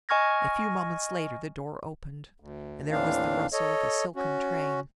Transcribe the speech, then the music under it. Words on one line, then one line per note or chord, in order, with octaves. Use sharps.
A few moments later the door opened, and there was the rustle of a silken train.
D#5 G#5 C#6 F6 G#6 A#6
D2
D#2 A2 E3 C4 D4 F5
A4 C#5 D#5
C#4 F#4